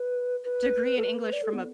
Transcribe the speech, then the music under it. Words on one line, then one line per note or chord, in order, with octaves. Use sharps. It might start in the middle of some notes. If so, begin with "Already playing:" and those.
degree in English from a p
Already playing: B4
B4
A4
B4
D5
A4
B3